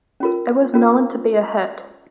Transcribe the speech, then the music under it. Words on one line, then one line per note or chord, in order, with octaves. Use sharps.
It was known to be a hit.
C#4 F4 A#4
C#4 F4 A#4